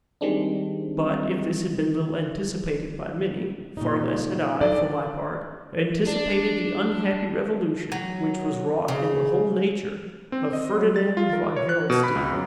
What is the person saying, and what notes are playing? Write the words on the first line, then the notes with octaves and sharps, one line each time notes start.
But, if this had been little anticipated by many, far less had I, for my part, anticipated the unhappy revolution which was wrought in the whole nature of Ferdinand von Harrelstein.
D#3 G3 G#3 C4 D4
A#2 C#3 D#4
D4 D#4 A4 D5
D4
F#3
C#3
C4
D#5
F#3
A6
F4
A#4
C#5
F#6
B2
B5
C#2
F#2